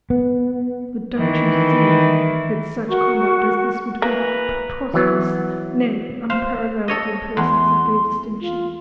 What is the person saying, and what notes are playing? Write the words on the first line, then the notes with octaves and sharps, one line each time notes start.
But don't you see that such conduct as this would be preposterous, nay, unparalleled in persons of their distinction?
B3
D#3 E3
F#4 A#4 C#6
E3 A#3 B4 A#5
E3 F#3 B3
C5 F5
A4 C#5 D#5
E2 C6
F4